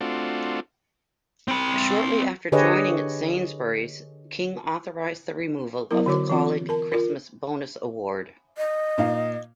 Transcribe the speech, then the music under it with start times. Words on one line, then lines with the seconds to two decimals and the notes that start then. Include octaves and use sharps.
Shortly after joining Sainsbury's, King authorised the removal of the Colleague Christmas Bonus award.
0.01 A3 C4 D4 F4 F#4
1.48 C4 B5
2.52 D3 G4 G#4 B4 C#5 D#5
5.91 F#3 B3 E4 A#4
6.06 D3 F#4 C#5 D6
6.30 E3 C4 F4
6.69 A#4 A5
6.92 F4 A#4
8.57 D#5
8.98 A#2 D#4 F5